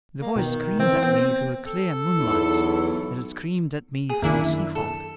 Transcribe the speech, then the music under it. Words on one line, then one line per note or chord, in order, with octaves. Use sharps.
The voice screams at me through the clear moonlight, as it screamed at me through the sea-fog.
A#3
B2 D#3
E3 C4
B3 C4
A4
B1 E2 E4
G#4
F#2 D#3 A#3 C#4 D4 E4 E5
A4